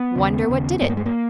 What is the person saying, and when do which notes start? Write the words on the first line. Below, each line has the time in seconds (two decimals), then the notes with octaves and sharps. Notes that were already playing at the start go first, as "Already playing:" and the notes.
"Wonder what did it?"
Already playing: B3
0.15 D#2 C#3
0.49 D#2 C#3
0.81 G2 B3
0.89 A#3
0.97 G#3
1.06 A#3